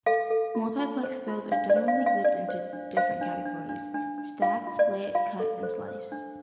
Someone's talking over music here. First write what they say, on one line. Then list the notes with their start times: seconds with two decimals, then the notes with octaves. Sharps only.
Multiplex throws are generally grouped into different categories: Stack, Split, Cut, and Slice.
0.06 A4 F5
0.30 A4
0.55 F4
0.79 F4
1.03 C5
1.28 F4
1.52 D4 F5
1.70 D5
1.76 C5
1.88 F5
2.00 D4
2.06 F5
2.25 D4 D5
2.49 C5
2.73 D4
2.97 C5 F5
3.21 D4
3.45 D4
3.69 D4
3.94 D4
4.18 D4
4.42 F4 F5
4.67 F4
4.79 D5
4.91 F4
5.15 F4 F5
5.40 A4
5.63 C5
5.88 C5
6.12 D4